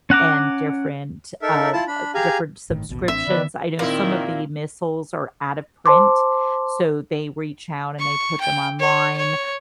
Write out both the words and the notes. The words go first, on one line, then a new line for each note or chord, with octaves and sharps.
and different, uh, uh different subscriptions, I know some of the missals are out of print, so they reach out and they put them online.
C#4 F#5 A#5 D6
D#4 A4 A#4 E5
E4 F4 A5
D4 B5
G4 G#4 F5 G#5 A#5
G1 A2 D#3
A1 D#2 B2
A1 C4 D4 E5
D3 D#3 B3 B4 D5
A#2 D#3 A#3 C4 E4
C5 A5 C6 D6
C#6
G5
C#5
C#5